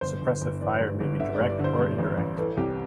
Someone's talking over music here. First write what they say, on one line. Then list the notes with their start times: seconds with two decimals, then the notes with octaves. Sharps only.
Suppressive fire may be direct or indirect.
0.01 G1 C5
0.21 G1
0.41 G1
0.61 E3 D5
0.81 G2
1.00 G1
1.20 D3 E5
1.34 D5
1.40 G2
1.49 D5
1.59 D3 C5
1.79 G2
1.98 A1
2.18 A1
2.37 E3 A4
2.57 C2 G4